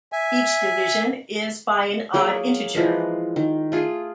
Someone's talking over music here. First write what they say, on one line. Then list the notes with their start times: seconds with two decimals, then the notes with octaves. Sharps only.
Each division is by an odd integer.
0.12 E5 G#5
2.14 F#3 A#3 G#4 G5
2.75 E3 F3 G#3 A#3
3.36 D#3
3.72 A3 F4 G#4